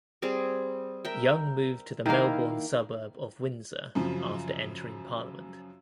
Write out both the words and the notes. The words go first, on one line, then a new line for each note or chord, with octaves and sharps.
Young moved to the Melbourne suburb of Windsor after entering parliament.
G3 C4 G#4
A#4 E5 G5
D#3 A#3 E4 F5
F#2 C#3 F3